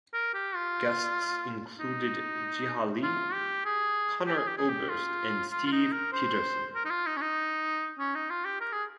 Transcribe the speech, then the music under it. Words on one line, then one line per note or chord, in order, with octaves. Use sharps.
Guests included Jiha Lee, Conor Oberst and Steve Pedersen.
A#4
G4
F4
D#4
F4
G4
G#4
G4
G#4
G4
G#4
G4
F4
F4
F4
D#4
A#4
C5
A#4
D#4
F4
D#4
C#4
D#4
C#4
D#4
F4
G4
A#4
G#4